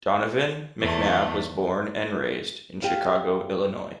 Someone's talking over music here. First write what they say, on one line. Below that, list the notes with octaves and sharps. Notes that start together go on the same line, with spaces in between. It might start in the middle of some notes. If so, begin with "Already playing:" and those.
Donovan McNabb was born and raised in Chicago, Illinois.
E2 A3
G4 F5